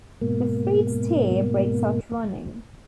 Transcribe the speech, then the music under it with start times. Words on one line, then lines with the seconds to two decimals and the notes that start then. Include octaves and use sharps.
The freed steer breaks out running.
0.21 G#2 B2 A#3